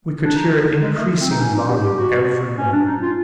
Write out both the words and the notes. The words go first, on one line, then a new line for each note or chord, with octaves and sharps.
We could hear it increasing in volume every moment.
D4
D#4
G#3
A3
C4
D#4
C#4
D#4
G4
G4
F#4
C#4
D4
D#4
F4